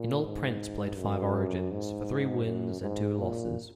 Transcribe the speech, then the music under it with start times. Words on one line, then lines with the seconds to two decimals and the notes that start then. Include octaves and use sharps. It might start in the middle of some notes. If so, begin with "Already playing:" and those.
In all Prince played five Origins, for three wins and two losses.
Already playing: A#2
0.24 G#2
0.97 F#2
1.71 G#2
2.44 F#2
2.81 G#2
3.18 A#2